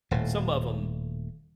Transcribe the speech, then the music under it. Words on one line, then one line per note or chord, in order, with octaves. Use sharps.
some of 'em
D#1 A2